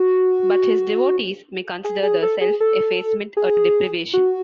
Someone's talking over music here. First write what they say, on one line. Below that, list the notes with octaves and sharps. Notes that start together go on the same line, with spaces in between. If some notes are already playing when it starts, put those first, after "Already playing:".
But his devotees may consider the self-effacement a deprivation.
Already playing: F#4
G#4
G#4
A4
G#4
A4
G#4
F#4